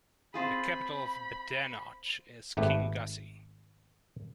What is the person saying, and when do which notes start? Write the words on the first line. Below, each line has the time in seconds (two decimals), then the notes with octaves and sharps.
The capital of Badenoch is Kingussie.
0.34 C4 F4 G#4 B5
2.57 G#1 G#2 A3 G4 B4